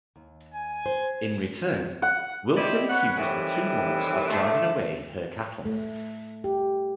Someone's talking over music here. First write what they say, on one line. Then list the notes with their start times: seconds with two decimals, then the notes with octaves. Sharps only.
In return Wilton accused the two monks of driving away her cattle.
0.16 D#2
0.54 G#5
0.86 C5
2.02 F#5
2.57 E4 G4 C5 D5 D#5
2.88 B4 C#5 F#5
3.17 A2 C3 D#3 E3 G3
4.30 D3 G#3 A3
5.66 A3
6.44 G4